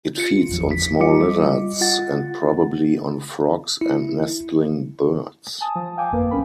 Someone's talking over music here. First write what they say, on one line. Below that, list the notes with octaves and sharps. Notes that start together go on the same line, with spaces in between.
It feeds on small lizards and probably on frogs and nestling birds.
F4 C#7
G#1 E2 F3
B6
G3 F4 D#5 D6 C#7
F4 F#5 A6
E4
G#5 A5 D#6
F3
F5 G5 G#5 D6
G1 F2 A#3 B4
B1 E2 C#4 A#4 B5